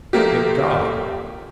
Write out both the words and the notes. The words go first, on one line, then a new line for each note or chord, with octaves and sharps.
"Good God!"
F3 A3 A#3 G4